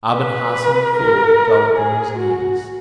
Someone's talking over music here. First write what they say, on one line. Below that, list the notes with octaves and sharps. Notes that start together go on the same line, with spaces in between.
Aben Hassen the Fool fell upon his knees.
B4
A#4
G#4
F#4